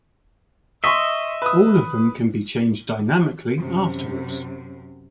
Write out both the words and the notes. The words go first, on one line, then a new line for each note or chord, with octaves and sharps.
All of them can be changed dynamically afterwards.
D#5 E5 C6 C#6 B6
B4 D#6
F#2 C3